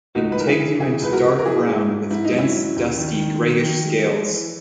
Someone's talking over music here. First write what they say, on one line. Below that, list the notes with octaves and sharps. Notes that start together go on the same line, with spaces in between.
Integument dark brown with dense dusty greyish scales.
C#2 D#4 F#4
B4
E3 A#4
E4 G#4
C#3
C#3 E4 G#4
C#2 B4
F#4 A#4
C#3
A#4
F#3 E4 G#4
G#2
G#2
G#2 E4
D#4
F#3
C#4 E4
F#3
D#2
D#3
D#3
D#3
D#3
G#3
G#3
E3